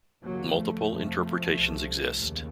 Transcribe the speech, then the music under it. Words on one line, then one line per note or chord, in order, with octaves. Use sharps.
Multiple interpretations exist.
D#2 C#3 F#3 A#3
F3 A3
F2 C3
C2 C3
D#2 C#3